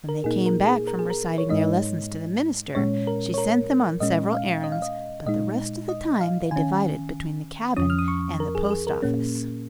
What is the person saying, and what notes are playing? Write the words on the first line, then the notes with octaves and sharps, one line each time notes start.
When they came back from reciting their lessons to the minister, she sent them on several errands, but the rest of the time they divided between the cabin and the post-office.
A#4
A#2 A#3 D#4 G#4
A#4
G#4
A#4
G#4
A#4
C#5
G#2 G#3 D#4 D#5
A#2 G#3 C#4 C#5
A#4
C#5
A#4
A#2 G#3 C#4 D#5
F5
D#5
F5
D#5
A#2 G#3 D#4 D#5
D#5
F5
D#3 C#4 G#5
F2 F3 C#4 D#6
F6
D#6
C#6
A#4
G#4
G#4
A#4
A#2 A#3 C#4